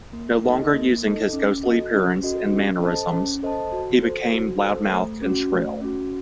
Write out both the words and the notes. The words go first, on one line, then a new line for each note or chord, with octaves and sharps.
No longer using his ghostly appearance and mannerisms, he became loudmouthed and shrill.
A#3
D#4 A4 D#5
A#3
D#4 A4 D#5
C#4
F#4 A4 D#5
C#4
F#4 A4 D#5
C#4
A4 C5 D#5 A5
C#4
A4 C5 D#5 A5
F#4
A4 C5
F#4
A4 C5
A3
C#4 F#4
A3
C#4 F#4